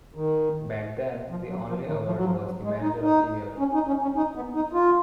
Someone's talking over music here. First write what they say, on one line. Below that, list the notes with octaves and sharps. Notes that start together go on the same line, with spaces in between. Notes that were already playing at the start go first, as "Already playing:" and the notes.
Back then, the only award was the Manager of the Year.
D#3
F3
F#3
F3
D#3
F3
F#3
F3
F#3
G#3
D#4
D#4
C#4
D#4
C#4
C#4
D#4
B3
D#4
F4